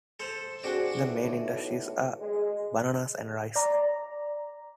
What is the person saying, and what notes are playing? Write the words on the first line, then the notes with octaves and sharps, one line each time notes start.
The main industries are bananas and rice.
A4 C5
C4 D4 F#4 G#4
B1 A2
G#3
D5 A#5